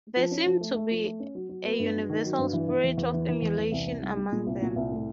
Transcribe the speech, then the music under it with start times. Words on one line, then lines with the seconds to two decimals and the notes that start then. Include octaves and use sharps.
There seem to be a universal spirit of emulation among them.
0.16 F3
0.31 C#4
0.46 F3
0.61 A3
0.75 A3
0.91 F3
1.05 A3
1.20 C#4
1.35 F#3
1.49 F#3
1.65 B3
1.79 G2
1.94 F#3
2.10 D#3
2.24 F#3
2.38 G2
2.53 E3
2.68 E3
2.84 E2
2.98 E2
3.13 E3
3.28 E3
3.42 E2
3.58 E2
3.72 C2
3.87 C2
4.03 G3
4.17 G3
4.32 A#2
4.47 C2
4.62 A#2
4.76 C2
4.91 A2